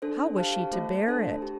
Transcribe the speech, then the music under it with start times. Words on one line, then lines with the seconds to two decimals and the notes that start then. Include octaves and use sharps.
How was she to bear it?
0.02 D4 A4 C5
0.37 G4 C5 F5 A5
0.72 A3 F4 C5
1.07 D4 A4 C5 A5
1.42 G4